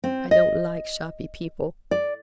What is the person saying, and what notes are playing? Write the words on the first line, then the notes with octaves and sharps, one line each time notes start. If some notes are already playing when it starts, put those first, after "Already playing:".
I don't like shoppy people.
C4
D#5
D5